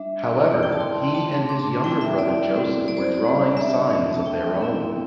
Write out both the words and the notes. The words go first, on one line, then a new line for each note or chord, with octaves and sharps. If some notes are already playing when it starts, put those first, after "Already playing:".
However, he and his younger brother Joseph were drawing signs of their own.
Already playing: G3 D4 E5
A3 E4 D5
G5
A5
C6
A3 D4 A5
C6
D6
A5
C6
G3 C4 E4 G5
E5
D5
G3 C4 E4
D5
C5
D5
G3 D4
E5
A3 D4
A5
G5
A3 C4 E4